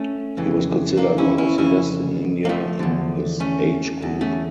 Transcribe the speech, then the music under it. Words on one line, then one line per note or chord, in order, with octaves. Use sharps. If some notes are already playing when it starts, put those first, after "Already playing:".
He was considered one of the best in India in his age group.
Already playing: A3 C#4
F2 C#3 E3
A#3 D4
C#4 E4
C#4 E4
F2 C#3 E3 C#4 E4
A#3
F3 A3
E2 D3
A3 C#4
E2 D3
A3 C#4